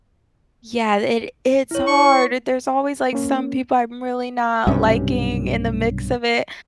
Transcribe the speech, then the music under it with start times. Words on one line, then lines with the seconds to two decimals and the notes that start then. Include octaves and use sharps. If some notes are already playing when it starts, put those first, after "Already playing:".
Yeah, th it it's hard, it there's always, like, some people I'm really not liking in the mix of it.
1.71 E4 C#5
1.87 C#6
3.13 A#3 C#4
4.67 B1 G2 C3 C#4